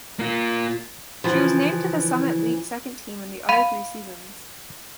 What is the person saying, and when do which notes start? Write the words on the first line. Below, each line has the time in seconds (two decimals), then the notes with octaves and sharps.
She was named to the Summit League Second Team in the other three seasons.
0.19 A#3 F4
1.24 C#3 E3 F3
3.49 F5 B5 D#7